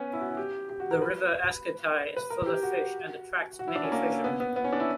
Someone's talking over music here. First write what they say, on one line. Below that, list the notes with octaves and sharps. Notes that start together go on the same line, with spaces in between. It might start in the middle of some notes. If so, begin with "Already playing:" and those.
The river Escotais is full of fish and attracts many fishermen.
Already playing: B3 C#4
E4
F#4
E4
G4
G4
F#4
A#4
B4
B4
A#4
G4
F#4
F#4
E4
D4
C#4
A#3
B3
B3
B3
C#4
D4
E4